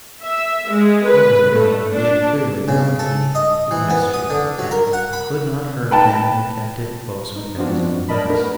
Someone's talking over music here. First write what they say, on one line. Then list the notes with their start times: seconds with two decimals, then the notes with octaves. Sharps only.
Whether or no, he had clearly no key to the mystery, and could not hurt him who kept it close within his own breast.
0.24 E5
0.71 G#3
1.07 B4
1.52 A3
1.93 D4
2.68 C#3
2.99 A4
3.35 D#5
3.71 E3
3.90 B3
4.14 D#6
4.30 D3
4.58 F#3
4.71 A#4
4.93 F#5
5.13 B5
5.91 B4 G5 A5
7.36 D#4
7.58 F3 B3 C4 D4 F4 F#4
8.09 A#4 D5 D#5 A5 B5
8.29 A3 D4 F#4 A#4 B4